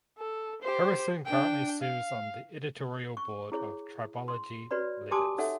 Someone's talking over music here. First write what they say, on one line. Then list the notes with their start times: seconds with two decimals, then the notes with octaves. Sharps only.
Harrison currently serves on the editorial board of Tribology Letters.
0.18 A4
0.62 G4 C5
1.26 D4 G5
1.82 F5
3.17 C#6
3.52 E4 G#4 C#5
4.28 C6
4.71 F#4 B4 C#5 D5 B5
5.11 G4 G#5 A5 C6 D6 D#6
5.38 D#4 A4 C#5 E5 F#5